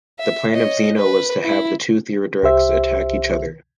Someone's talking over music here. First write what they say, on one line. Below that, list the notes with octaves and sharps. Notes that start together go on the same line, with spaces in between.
The plan of Zeno was to have the two Theoderics attack each other.
E5
C#5 D#5
B4
E4
C2 G4 C5 E5